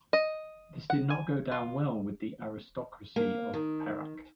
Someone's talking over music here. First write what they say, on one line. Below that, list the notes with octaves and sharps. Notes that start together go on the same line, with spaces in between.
This did not go down well with the aristocracy of Perak.
D#5
F#5
G#5
F4
A#3
D#3